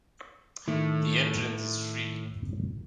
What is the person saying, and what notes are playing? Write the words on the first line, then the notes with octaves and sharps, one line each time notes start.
The entrance is free.
A2 D#3 A3